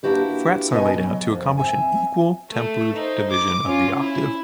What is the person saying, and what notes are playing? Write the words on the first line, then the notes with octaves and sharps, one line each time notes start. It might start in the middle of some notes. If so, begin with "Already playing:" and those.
Frets are laid out to accomplish an equal tempered division of the octave.
A#3 D4 E4 F#4 G4 B4
B2 B3 D#4 C5 D#5 G#5
F#3
F2
C4 E5 G#5
A3 A4
D#4 C5
D6
C#4 F4
E4